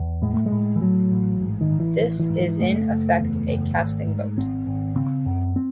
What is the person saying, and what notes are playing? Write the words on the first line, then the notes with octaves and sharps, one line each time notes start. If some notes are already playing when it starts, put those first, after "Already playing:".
This is in effect a casting vote.
Already playing: E2
A2 G#3
A3
G#3
A2
E3
A2 F#3
A1
G#2
D#3
A1
E3
A1 E3
E3
G#2
E3
F#1 A3
F#1
E2
F#1
G#1
G#2
G#1 C4
G#1
C#3 C4
F#2
C4